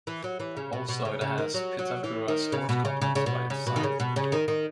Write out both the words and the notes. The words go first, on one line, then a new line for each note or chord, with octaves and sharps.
Also it has Pitampura Sports Complex by its side.
E3
F#3
E3
C#3
B2
B2
C#3
C#3
D#3
F#3
F#3
E3
D#3
C#3
B2
C#3
C#3
C#3
B2
C#3
B2
D#3
C#3
B2
C#3
D#3
D#3